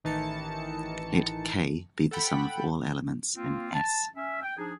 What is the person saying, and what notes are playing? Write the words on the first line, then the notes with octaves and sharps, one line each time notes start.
Let "K" be the sum of all elements in "S".
A1 D#3 E3 D#4 A5 C#7
A4 F#5 G5 B5
A#3 C4 F4
A5
C#4 E5
G5
F3 D4 D#4 G#4